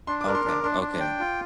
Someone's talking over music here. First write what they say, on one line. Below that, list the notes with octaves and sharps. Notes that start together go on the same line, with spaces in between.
Okay, okay.
D4 C6
D6
A#4
C6
D4 D6
D4 C6
D4
G5
F4